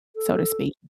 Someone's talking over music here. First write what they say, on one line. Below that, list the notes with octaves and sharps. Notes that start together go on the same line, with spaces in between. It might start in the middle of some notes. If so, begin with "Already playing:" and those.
So to speak.
A4